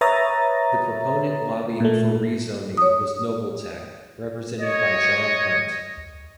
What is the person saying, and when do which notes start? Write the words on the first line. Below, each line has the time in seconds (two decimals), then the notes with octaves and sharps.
The proponent lobbying for rezoning was Nobletech, represented by John Hunt.
0.01 B4 C#5 E5 A#5 D#6 A6
1.80 A#2 A3
2.77 C#5 D#6
4.61 C#5 D#5